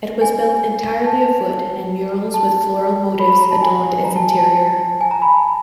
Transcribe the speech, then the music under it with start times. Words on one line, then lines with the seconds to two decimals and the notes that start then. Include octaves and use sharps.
It was built entirely of wood, and murals with floral motifs adorned its interior.
0.21 G#5
1.06 A5
2.34 A5
3.20 B5
3.30 B5
3.41 A#5
3.51 A5
3.62 G#5
4.04 A#5
4.16 A5
4.27 G#5
4.39 A5
5.01 G#5
5.11 A#5
5.22 B5
5.32 A5